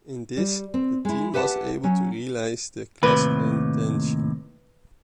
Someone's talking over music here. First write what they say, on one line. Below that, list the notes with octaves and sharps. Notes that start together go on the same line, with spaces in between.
In this, the team was able to realize the class retention.
G3
C4
G#3 E4
G4 B4 E5 F#5 G#5 A5
F#3 C#4
D#2 A2 C3 B4